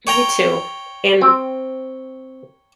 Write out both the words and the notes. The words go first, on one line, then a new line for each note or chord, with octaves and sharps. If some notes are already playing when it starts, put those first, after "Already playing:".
You too. And,
C#5 G5 A#5
C4